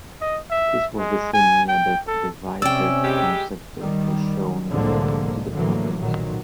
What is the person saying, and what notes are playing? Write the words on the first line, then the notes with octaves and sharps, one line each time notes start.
This was the same year that the Viper concept was shown to the public.
D#5
E5
G#3
G#5
G5
A4
C3 C#4 D5 G5 E6
G3 G#3 G4
D#3 G3
C2 A2 D3 F3 G#3 A#3
A2 D3 E3 F#3 A#3
B1 A#2 D#3 F#3